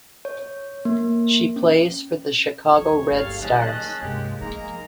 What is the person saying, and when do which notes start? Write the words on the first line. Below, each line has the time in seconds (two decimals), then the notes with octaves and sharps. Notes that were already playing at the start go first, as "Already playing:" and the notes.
She plays for the Chicago Red Stars.
0.25 C#5
0.85 A#3
1.56 C#4
2.73 F#1 D#2 G3 C#5
3.11 G1 A3 A4 F5 F6
3.43 D#3 A3 C#4 G#4 D#5 A5 F#6
4.02 C2 G2 G#3 A#3 G4
4.41 C#3 F3 A#3 D#4 G#4 A#5